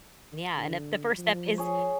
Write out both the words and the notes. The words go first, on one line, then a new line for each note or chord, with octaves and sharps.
Yeah, and if the first step is
D3
F3
G#4 C#5